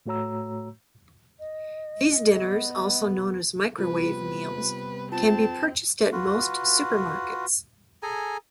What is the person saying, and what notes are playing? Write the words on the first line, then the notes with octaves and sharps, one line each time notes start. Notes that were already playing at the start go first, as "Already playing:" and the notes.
These dinners, also known as microwave meals, can be purchased at most supermarkets.
A2 A3 F#4 C#5 A#5 E6
D#5
B3
C3 G3 B3 F4 B4
C4 F4 A5
F4 F#4 B4
G#4 A4 G#5 A#5